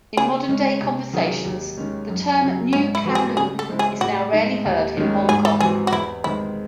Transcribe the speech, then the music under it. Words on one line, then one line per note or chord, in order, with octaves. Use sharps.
In modern-day conversations, the term "New Kowloon" is now rarely heard in Hong Kong.
C#3 G#4
G#3 C#4
C3
D#3 F#3 C#4 G#4
D#2
D#3 G#3 C#4
F#2
C#3 F#3
G#2 C#4
E4
E3 C4 F#4 A4
G#4
C#3 G#4
A4
G#3 C4 E4
G#4
A2 F#4
G#3 D#4
D#2
D#3 G#3 C#4
G#2 G#4
A4
E3 C4 F#4 G#4
F#4
E2 E4
D#3 G#3 C4 E4